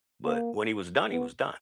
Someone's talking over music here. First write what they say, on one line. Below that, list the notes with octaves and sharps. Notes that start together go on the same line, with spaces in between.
but when he was done, he was done.
A#3
B3